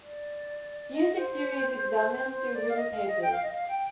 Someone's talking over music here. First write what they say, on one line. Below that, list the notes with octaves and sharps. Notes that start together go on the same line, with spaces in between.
Music Theory is examined through written papers.
D5
D#5
C5
C5
D5
F5
D#5
F5
D#5
G5
F5
D#5
F5
G5